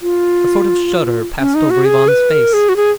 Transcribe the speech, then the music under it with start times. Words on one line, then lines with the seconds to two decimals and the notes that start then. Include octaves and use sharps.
A sort of shudder passed over Ivan's face.
0.02 F4
1.40 C#4
1.55 D#4
1.70 F#4
1.85 G#4
2.08 B4
2.30 A#4
2.53 G#4
2.69 F#4
2.76 G#4